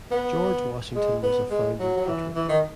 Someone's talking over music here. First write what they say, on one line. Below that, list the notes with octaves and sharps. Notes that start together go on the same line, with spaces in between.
George Washington was a founding patron.
B3
G#3
B3
G#3
F#3
F#3
E3
E3
D#3